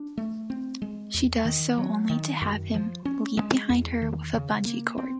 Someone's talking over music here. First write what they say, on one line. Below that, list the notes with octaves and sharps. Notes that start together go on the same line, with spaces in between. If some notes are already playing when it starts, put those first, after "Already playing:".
She does so only to have him leap behind her with a bungee cord.
Already playing: D4
A3
C4
G#3
E2
D#3
F#3
D#3
F#2
F3
C#4
G#3
E2
D#3
C#3
A#3
C4